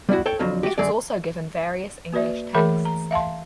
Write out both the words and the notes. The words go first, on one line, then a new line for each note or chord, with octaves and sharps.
It was also given various English texts.
G3 B3 E4 F#4
A4 C#5 G5
F2 D3 F3 F#3
F#4 G4
F#2 D3 F#3 G#4 D5
A#3 F#4 B4 D5 E5
E3 A3 G#4 A#4 E5 B5
A#5
E5 F5 A5 C6